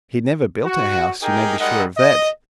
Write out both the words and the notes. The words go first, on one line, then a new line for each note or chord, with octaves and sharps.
He never built a house, you may be sure of that.
F#4
D#4 G4 G#4 A#4 G5
G3 G#3 D#4 A#4 D#5 F#5
D#5